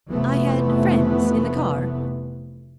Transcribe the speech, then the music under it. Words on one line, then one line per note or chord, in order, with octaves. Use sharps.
"I had friends in the car."
F1 F2 E3 A3 B3